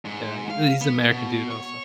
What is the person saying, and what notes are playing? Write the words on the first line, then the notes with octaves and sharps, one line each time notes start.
Yeah, he's a he's American dude, also.
G#2
F5
B3
B2
C#5